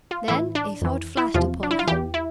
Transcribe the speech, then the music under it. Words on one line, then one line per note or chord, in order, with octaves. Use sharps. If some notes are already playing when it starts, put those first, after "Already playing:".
Then a thought flashed upon her.
F4
A2 E3 E4
D4
F2 E3
E4
E2 C3 F3 F4
D4
E4
F4
E2 E3 G4
E4